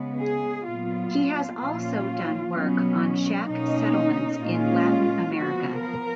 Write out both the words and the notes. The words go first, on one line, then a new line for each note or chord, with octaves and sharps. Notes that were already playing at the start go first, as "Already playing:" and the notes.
He has also done work on shack settlements in Latin America.
Already playing: C#3 G#3 B3
G#4
A#2 F#3 B3 F4
A#2 F3 A#3 C#4 F4
B2 F#3 B3 C#4
B2 A#3 C#4 D#4
A#2 G#3 C#4 F4
F3 B3 F#4
A#4